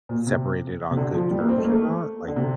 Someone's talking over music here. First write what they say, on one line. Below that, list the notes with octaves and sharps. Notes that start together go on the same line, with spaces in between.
separated on good terms or not? Like
A#2
C3
C3
D3
F3
G3
A#3
C4
A3
A#3
A3
D3
C3